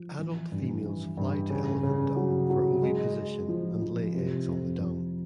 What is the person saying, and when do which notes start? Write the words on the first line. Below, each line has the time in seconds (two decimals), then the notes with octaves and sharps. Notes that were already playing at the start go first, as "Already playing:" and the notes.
Adult females fly to elephant dung for oviposition and lay eggs on the dung.
Already playing: F3
0.19 E3
0.52 G2
0.85 E3
1.17 G2
1.50 C#3
1.83 C#3
2.16 F#3
2.50 F#3
2.83 G#3
3.15 G#3
3.48 F3
3.82 F3
4.14 C3
4.47 F2
4.81 F3